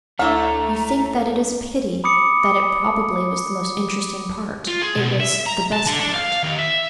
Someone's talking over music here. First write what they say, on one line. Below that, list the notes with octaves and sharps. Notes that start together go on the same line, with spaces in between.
You think that it is a pity, that it probably was the most interesting part, it was "the best part."
D2 A3 D4 E4 C#5 A#5
B5 D6 D#6 C#7
F4
G#4
B1
E5
A#5
A5
D3
D4
F5
D#2
E5